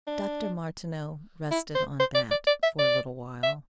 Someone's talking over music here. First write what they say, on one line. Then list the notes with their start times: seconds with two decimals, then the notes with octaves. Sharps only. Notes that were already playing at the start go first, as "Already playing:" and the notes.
Dr. Martineau rested on that for a little while.
0.08 D4
1.51 E4
1.75 C5
2.00 C5
2.15 D5
2.31 D5
2.47 D5
2.63 E5
2.79 D5
3.43 E5